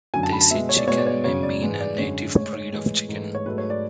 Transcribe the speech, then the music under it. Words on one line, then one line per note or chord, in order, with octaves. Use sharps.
"Desi chicken" may mean a native breed of chicken.
F#2 D3 F#3 G#5
A5
B5
A5
B2 G#3 E5
C#5
D5
B2 G#3 C#5
D5
C#5
F#2 C#3 F#3 C#5
D5
G#2 E3 G#3
D5
F#2 D3 G#3 C#5
A2 G#3 C#5
C#5
A2 E3 G#3
G#2 E3 A3
C#5
G#2 F#3 A3 B4
C#5
D5